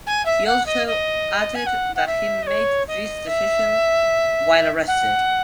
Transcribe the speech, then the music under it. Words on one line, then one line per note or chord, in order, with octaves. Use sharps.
He also added that he made this decision while arrested.
G#5
E5
F#5
D#5
D#5
G#5
F#5
F#5
E5
D#5
C#5
D#5
E5
F#5